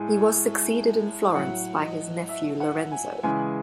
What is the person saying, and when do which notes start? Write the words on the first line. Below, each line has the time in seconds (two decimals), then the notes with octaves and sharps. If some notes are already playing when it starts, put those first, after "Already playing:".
He was succeeded in Florence by his nephew Lorenzo.
Already playing: A2 G#3 G#5
1.34 A2 F#3 F#5
1.82 D#5
2.29 E5
2.60 F#5
2.92 G#5
3.23 C#3 E3 G#3 G#5